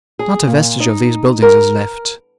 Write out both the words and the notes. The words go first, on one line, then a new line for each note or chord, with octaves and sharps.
Not a vestige of these buildings is left.
G#4
A#2
D#4
A#4